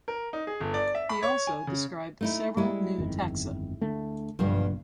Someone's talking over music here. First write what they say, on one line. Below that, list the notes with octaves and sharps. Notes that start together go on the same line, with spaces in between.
He also described several new taxa.
A#4
D#4
G#4
G1
D5
E5
B5
C#5
G#5
C#3
A3 D#4 E4
G3 G#3 E4
G1 F2 D#3
D2 D3 A3
F#1 B1 G2 B2 D3 F3